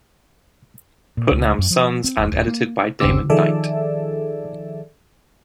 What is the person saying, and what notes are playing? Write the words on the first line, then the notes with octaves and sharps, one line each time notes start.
Putnam's Sons and edited by Damon Knight.
A#2
C#2
F#2
F3
C4
E1
D1
A#3
G1 D#2 C#3 C4 D6 E6
D#3 F3 G#4 A4 D5 E5